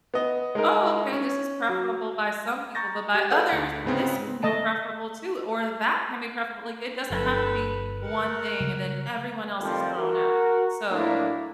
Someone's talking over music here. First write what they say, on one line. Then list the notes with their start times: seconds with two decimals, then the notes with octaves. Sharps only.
"Oh, okay, this is preferable by some people, but by others, this can be preferable too or that can be preferable." Like, it doesn't have to be one thing and then everyone else is thrown out. So,
0.14 B3 D#5
0.55 G#3 D#4 A#4
1.12 C#4
1.69 F#3
2.75 A#5 C#6 G6 A6 A#6
3.15 G4
3.30 G#4 A4 B4 D5 F5 F#5
3.49 D2 B6
3.84 G#2 C#3 B3 C4
4.43 A3 D#5 A5
7.10 G1 F#3 D4 A4 B4
8.01 A#4 F#5
8.60 C#3 F#3 G3
9.60 F2 D#3 F3 G3 A3 C4
9.96 F#4 A#4
10.90 A2 F#3 A3 A#3 D4 E4